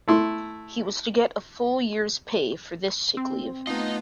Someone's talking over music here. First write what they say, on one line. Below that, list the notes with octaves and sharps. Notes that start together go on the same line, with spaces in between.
He was to get a full year's pay for this sick leave.
A3 E4 C6
C4
A3 B3 D#4 F4 D#5